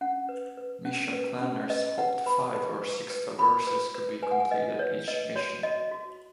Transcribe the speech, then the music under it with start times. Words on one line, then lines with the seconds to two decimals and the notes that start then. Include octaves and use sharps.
Mission planners hoped five or six traverses could be completed each mission.
0.01 C#4 F#5
0.29 B4
0.57 B4
0.85 C#4
1.13 B4
1.41 C#4
1.70 B4 D#5
1.98 B4 F#5
2.26 B4 B5
2.54 B4
2.82 B4
3.10 B4
3.38 F#4 B5
3.67 B4
3.95 B4
4.22 B4 G#5
4.31 F#5
4.40 G#5
4.51 B4 D#5
4.79 B4 C#5
5.08 B4 D#5
5.35 F#4 C#5
5.63 F#4 D#5
5.91 F#4